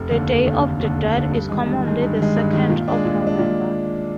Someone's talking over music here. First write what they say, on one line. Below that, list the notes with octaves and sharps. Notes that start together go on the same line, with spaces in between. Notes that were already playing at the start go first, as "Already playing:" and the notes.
The day of the dead is commonly the second of November.
Already playing: F1
D#2 D3
F1
D#2 D3
F1
D#2 D3
F1
D#2 D3
G2
D#3 G#3
G2
D#3 G#3
G2
D#3 G#3
G2
D#3 G#3
A#2
G#3 D4
A#2
G#3
D4
A#2